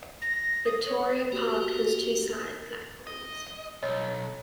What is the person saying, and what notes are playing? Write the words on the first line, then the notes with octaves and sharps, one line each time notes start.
Victoria Park has two side platforms.
A#6
D#6
C#5
A#3 F#4 G4
D#5
B1 C#5 D#5